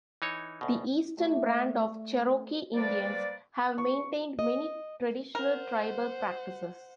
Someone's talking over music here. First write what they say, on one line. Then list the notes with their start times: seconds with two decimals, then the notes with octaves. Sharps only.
The Eastern Band of Cherokee Indians have maintained many traditional tribal practices.
0.22 E3 D#4 C#5
0.61 D2 B2
1.18 A3 D4
2.75 G3 A#3 B4 C5 D5
3.78 C#6
4.39 D#5
5.35 A#4 C5 F#5